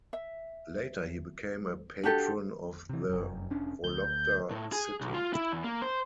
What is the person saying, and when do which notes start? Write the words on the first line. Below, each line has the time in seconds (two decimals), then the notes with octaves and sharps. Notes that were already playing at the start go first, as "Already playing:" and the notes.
Later he became a patron of the Vologda city.
0.13 E5
2.04 D4 F#4 G4 A4
2.89 C3 E3
3.09 F1 F#2
3.50 F1 C#4 D4
3.84 D2 G6
4.51 A2
4.73 G#4
5.01 B1
5.14 F4
5.33 E4
5.52 E2
5.64 A#3
5.82 C5